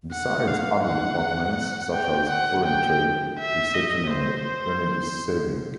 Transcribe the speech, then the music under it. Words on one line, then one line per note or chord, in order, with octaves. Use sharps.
Besides other departments such as Foreign Trade, Reception and Energy Saving.
F#5
F5
F#5
G5
F#5
G5
E5
D#5
C5